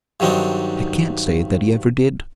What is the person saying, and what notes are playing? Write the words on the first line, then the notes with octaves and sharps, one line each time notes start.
"I can't say that he ever did."
G2 D#3 F#3 C4 D4 D#4